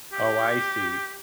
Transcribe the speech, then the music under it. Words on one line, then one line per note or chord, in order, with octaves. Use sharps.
Oh, I see.
G4